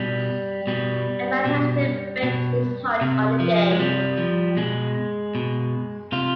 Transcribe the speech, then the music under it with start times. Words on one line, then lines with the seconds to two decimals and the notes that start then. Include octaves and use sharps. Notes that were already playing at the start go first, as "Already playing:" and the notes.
A man has to bet his heart on the game.
Already playing: B2 G3
0.67 B2 G3
1.45 B2
2.23 B2
3.01 C3
3.40 F3
3.71 G#3
3.79 C3 G3
4.17 F3
4.56 B2 G#3
5.35 B2
6.12 C3 F4